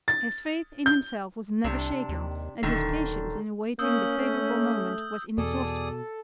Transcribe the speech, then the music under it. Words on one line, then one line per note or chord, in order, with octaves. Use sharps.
His faith in himself was never shaken, and his patience in awaiting the favourable moment was inexhaustible.
A6
G6
C2 C3 D4
D#2
D#1 F#2 D3 D#3
A#3 C#4 C#5 D#6 E6 G6
A3
E2 B2 G#4 A4 D5 D#6